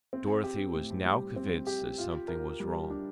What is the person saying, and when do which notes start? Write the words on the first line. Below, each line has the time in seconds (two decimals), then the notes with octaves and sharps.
Dorothy was now convinced that something was wrong.
0.13 C4
0.44 G4
0.74 A2
1.05 G3
1.36 C4
1.67 G4
1.98 F4
2.28 A#4
2.60 G3
2.90 D4